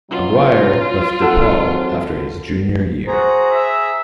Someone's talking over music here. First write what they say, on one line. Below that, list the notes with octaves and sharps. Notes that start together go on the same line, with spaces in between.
Aguirre left De Paul after his junior year.
B2 F#3 C#4 F4
G#2 F#3 C4 F#4 A4 F#5
F#4 G#4 C5 A#5
E5